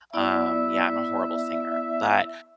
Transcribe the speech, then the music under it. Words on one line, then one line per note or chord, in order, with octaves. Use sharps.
um, yeah I'm a horrible singer. But
B3 E4 D5 E5